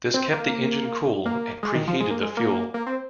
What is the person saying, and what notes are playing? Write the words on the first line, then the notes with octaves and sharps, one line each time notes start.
This kept the engine cool, and preheated the fuel.
C4
A#3
A#3
G#3
D#3
F3
G#3
A#3
G#3
A#3
A#3
C4